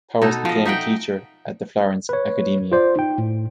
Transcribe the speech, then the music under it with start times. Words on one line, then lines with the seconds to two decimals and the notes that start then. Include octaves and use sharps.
Powers became a teacher at the Florence Accademia.
0.22 B2 D#4 A4
0.45 F3 D#5
0.65 D#4 E5 F#5 G5
2.09 B4 C#5
2.72 F4 C5 D5
2.96 D#4 G5
3.18 A2